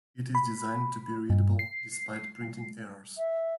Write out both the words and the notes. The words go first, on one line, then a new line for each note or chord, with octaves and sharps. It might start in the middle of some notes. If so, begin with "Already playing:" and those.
It is designed to be readable despite printing errors.
B5
G2
C7
E5